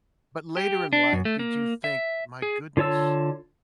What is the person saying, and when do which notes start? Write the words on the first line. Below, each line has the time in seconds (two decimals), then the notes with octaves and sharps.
but later in life, did you think, "My goodness,
0.57 G4
0.93 D4
1.13 F#2
1.25 A3
1.39 A#3
1.84 E5
2.42 G#4
2.77 D3 F4 C#5 A5 E6